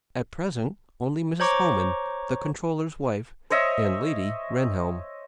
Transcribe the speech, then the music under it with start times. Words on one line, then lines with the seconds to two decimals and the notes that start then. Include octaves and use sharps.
"At present only Mrs. Homan, the controller's wife, and Lady Rehnhjelm."
1.40 C5 C#5 A#5 C#6 D6
3.50 C5 C#5 D#5 E5